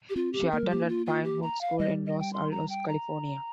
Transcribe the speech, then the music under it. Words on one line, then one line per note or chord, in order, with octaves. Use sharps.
She attended Pinewood School in Los Altos, California.
G4
C4 F4
G4
C4
A#3 A#4
G3
A#3 G4
D#4
F4
F4
G4
A#5
F5
G3 D#5
D#5
G5
C6
A#5
G5
A#5